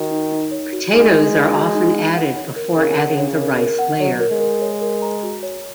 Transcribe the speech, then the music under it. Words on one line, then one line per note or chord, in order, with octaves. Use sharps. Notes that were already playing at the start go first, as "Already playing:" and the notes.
Potatoes are often added before adding the rice layer.
Already playing: D#3 F#4
D#4
D#4
C#5
F#4
G#3 D#4
D#4
C#5
F#4
D#4
D#4
F#5
C#5
A#4
C#3 A#4
F#5
C#3
C#5
A#4
A#4
F#5
F#3 C#5
A#4
G#3
A#4
C#5
A#4
A#5
F#4
C#5